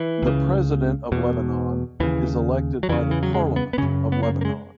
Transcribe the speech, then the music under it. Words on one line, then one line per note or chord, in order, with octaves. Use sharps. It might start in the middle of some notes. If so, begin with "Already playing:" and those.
The President of Lebanon is elected by the Parliament of Lebanon.
Already playing: E3
C#2 C#3
E2 B2
D#2 C#3 E3
F#3
E2 C#3 E3
E3
F#3
G#3
B3
B3
F#2 C#3 C#4
B3
A#3
A#3
G#3